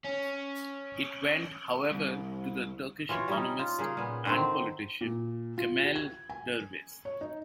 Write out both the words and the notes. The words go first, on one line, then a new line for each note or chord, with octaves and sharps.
It went, however, to the Turkish economist and politician, Kemel Dervis.
C#4
C2
E3 F4 F#4 C#5
G3 C#4 D#4
F4
C#3 A#3 G#4
A#2 B3
D3 D#3 C4
A#2
F4
G4
G#6
G#5
C#5
D#4